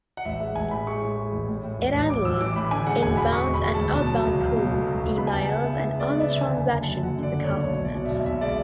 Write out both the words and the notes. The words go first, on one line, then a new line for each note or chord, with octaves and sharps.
It handles inbound and outbound calls, emails and other transactions for customers.
F#5
A1 E5
G#3 F#5
A1 G#5
A2 B5
G#3 C#6
A2
G#3
A1
A2
A2
A1
A1
A1 D6
A1 E6
E3 D6
A2 B5
D3 G#5
G#3 F#5
E1 G#5
E1 B5
G#3 C#6
E1
B5
G#3
A5
D2
B2 A5
F#3
C#2
C#2
B2
A3
F#3
C#2
B3 B5
G#5
C#2 A5
C#3 F#5
B3 E5
B3
G#3 D5
B3
E5
C#3
D3 G#5
F#1
F#1
F#2 A5
F#1 F#5
D3 D5
D3
F#1 C#5
B1 C#5
B1
D5
B2
E5
B1
B1 E5
G#3 D5